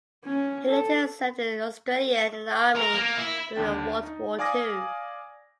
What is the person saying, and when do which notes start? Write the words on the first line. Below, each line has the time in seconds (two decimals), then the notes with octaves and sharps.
He later served in Australian in the Army during World War Two.
0.25 C#4
0.68 A4
2.77 A#4
2.95 A#3
3.17 E4
3.55 D#2 D3 D4 G5 A6
4.03 D#4
4.39 D5 F5 G#5 D6 D#6 A#6